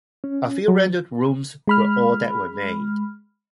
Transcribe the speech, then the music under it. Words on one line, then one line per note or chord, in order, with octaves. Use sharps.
A few rendered rooms were all that were made.
C#4
F#3
G#3 B5 F6